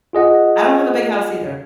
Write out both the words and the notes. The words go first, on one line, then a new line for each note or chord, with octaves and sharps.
I don't have a big house either.
F4 G#4 D#5 F#5